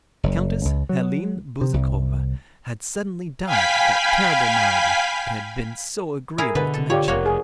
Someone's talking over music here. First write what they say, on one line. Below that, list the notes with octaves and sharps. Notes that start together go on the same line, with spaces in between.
Countess Helene Bezukhova had suddenly died of that terrible malady it had been so agreeable to mention.
F#1
C#2
F#3
C3
C2
F5 G5 G#5 B5 B6
E4 G#4 A#4
B2 D3 B4
A4
F4 G4 C#5 D5
F1 A#3 F#4 C#5
G#4